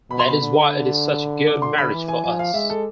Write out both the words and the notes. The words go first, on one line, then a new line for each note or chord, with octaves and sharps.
That is why it is such a good marriage for us.
B2 B5
C6
B5
D3
D6
C6
B5
E3
G#5
F3 G#5
F5
G#3 E5
A4